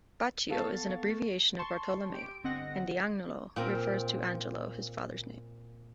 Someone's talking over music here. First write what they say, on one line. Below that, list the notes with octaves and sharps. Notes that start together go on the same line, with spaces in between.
"Baccio" is an abbreviation of Bartolomeo, and "d'Agnolo" refers to Angelo, his father's name.
B3 A4 F5 A5 C#6 A6
A5 C6 C#6
G4 D7
G1 D3 C4 D#5 F#5 A#6
A#2 C4 A#4